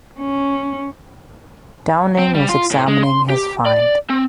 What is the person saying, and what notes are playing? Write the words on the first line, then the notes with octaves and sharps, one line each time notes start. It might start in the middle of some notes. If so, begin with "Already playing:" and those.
Downing was examining his find.
C#4
C4
G3
F4
A2
G#3
C6
G4
D5
C4